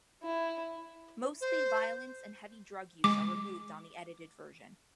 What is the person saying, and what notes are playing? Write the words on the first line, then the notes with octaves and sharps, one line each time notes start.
Mostly violence and heavy drug use are removed on the edited version.
E4
C5
G#3 D6